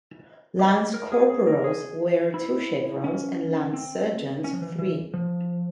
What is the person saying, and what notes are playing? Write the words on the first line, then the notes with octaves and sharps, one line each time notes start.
Lance Corporals wear two chevrons and Lance Sergeants three.
G4
A#4
G#4
G#4
A#4
G#4
E4
C#4
C4
C#4
F3
E3
E3
F3